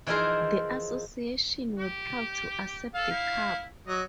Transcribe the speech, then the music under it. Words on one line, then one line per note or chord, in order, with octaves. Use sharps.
The Association were proud to accept the Cup.
E3 F3 D#4 G#4 A#4 C5
G4
A4 F5
E4
F#3 D#5